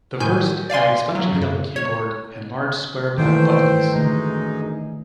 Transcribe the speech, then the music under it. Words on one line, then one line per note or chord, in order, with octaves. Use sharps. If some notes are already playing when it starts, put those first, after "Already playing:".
The first had a spongy-feeling keyboard and large square black buttons.
A2 D#3 G#5 G6
D5 F5 G#5 C6
F#3
F#2 C#3
C#5
D#3 E3 A3 C5 G5
F#2 D3 G#3 A3 D#4